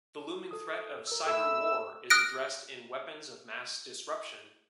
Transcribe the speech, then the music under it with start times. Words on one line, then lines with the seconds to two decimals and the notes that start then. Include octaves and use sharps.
The looming threat of Cyber War is addressed in Weapons of Mass Disruption.
0.51 A4 D#6
1.07 A#4 E6
1.27 A4 E5 B5 E6
2.10 D#6 F6 F#6 A#6 D7